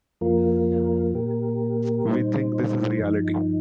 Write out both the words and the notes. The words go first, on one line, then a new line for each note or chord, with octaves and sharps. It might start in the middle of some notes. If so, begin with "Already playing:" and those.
We think this is reality.
F2 F3 A#3 F4 A#4
A#2 A#3 G4 A#4
A#2 G3 D#4 C5
G2 F3 D#4